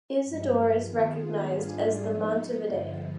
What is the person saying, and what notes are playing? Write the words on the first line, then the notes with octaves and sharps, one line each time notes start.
Isidore is recognized as the "Montevidean".
G2 F3 G#3
D#3 B3 F4 G#4
G#2 G3 D4 F4 G#4
F3 G#3 B3 D#4
G2 D3 F3 G#3